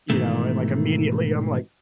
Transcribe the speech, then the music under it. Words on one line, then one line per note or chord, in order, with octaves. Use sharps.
you know, and, like, immediately, I'm like
G#2 B2 D#3 E3 A3